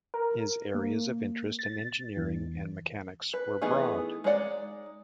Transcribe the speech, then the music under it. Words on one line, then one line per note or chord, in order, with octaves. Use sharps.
His areas of interest in engineering and mechanics were broad.
A#4
A#3
A6
E2
B4
E3 A3 B3 D#4 G#4
G#3 D#4 C#5 D5 F#5